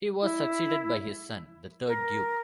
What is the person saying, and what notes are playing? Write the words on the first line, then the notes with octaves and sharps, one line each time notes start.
He was succeeded by his son, the third Duke.
E4
A#4